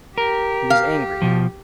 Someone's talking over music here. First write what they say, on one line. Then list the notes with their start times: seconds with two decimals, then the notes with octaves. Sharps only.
He was angry.
0.18 G4 A#4
0.70 F5
1.22 B2 F3